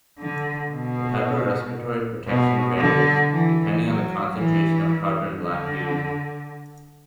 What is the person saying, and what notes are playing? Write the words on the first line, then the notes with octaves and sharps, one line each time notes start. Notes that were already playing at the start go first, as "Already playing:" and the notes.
The type of respiratory protection varies, depending on the concentration of carbon black used.
D3
B2
B2
D3
E3
F#3
E3
D3